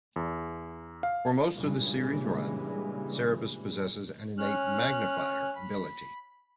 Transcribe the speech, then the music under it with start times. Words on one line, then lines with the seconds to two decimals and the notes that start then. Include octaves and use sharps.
For most of the series' run, Cerebus possesses an innate "magnifier" ability.
0.16 E2
1.03 F5
1.55 G2 A#2 C#3 E3 G3 G#3
4.38 C#4 F6 F#6
5.56 B5